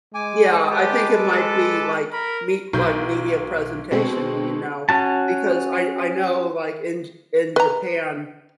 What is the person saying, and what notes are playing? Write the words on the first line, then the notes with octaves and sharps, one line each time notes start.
Yeah, I think it might be like me like media presentation, you know, because I I know like in in Japan,
G#3 G#5 D6
G4 B4 A5 D6
A4
A#4 B5
B1 F#3 G6
B2 G#3 C4
C#4 F#4 A5
B4 A#5